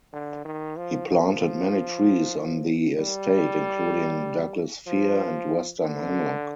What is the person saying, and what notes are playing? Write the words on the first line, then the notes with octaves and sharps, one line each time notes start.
He planted many trees on the estate including Douglas Fir and Western Hemlock.
D3
D#3
F3
F3
G3
F3
D3